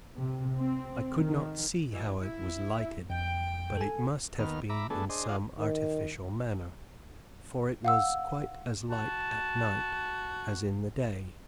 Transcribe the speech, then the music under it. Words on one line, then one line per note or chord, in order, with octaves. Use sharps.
I could not see how it was lighted, but it must have been in some artificial manner, for it was quite as light at night, as in the day.
C3
C4
D#3
B2 E3
E4
F2 G5
A4 G#5
D#2 D#3 B3 F6
E5 A#5 B5 D6
A3 B3 D4 G#4 A4
D4 G#4 C5 D#5
F4 G#4 D5 D#5 F5 F#5
D#3
F5 F#5 E6
F#4 A5